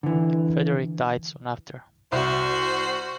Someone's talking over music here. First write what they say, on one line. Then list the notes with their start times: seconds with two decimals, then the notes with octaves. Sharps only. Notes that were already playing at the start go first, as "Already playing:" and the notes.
Frederick died soon after.
0.03 D3 E3
2.12 C2 F#4 C5